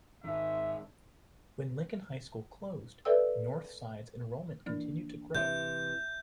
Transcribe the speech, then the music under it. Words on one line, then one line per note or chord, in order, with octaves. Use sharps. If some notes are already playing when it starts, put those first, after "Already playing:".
When Lincoln High School closed, Northside's enrollment continued to grow.
G#1 D#3 E5
A4 B4 D5 E5 G5 E6
E3 A#3 D4
C3 E3 E5 G6